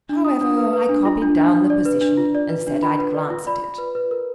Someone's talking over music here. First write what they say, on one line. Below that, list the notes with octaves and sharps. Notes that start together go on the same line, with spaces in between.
However, I copied down the position and said I'd glance at it....
D4
F4 D#6
D4
B4
B4
D4
F4
D4
D4
D4
D5
B4
D4
F4
D5
B4
D4
F4 B5
B4
D5
F4
D5 B5
F4
B4
B4
A#4